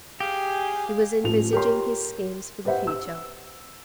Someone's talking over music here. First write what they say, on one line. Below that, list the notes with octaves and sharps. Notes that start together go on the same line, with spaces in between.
He was envisaging his schemes for the future.
G4 G#4 F5 G#5
A1 F3 A4 F7
G4 A#4 C#5 C6
G4 B4 C5 E5 F#5
E6